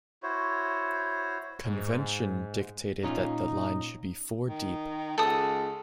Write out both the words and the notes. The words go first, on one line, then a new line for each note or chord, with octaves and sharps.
Convention dictated that the line should be four deep.
E4 F#4 C5 C#5
G#2
A#2 C#4 D#4 F4
D#3
C#2 A4 D#6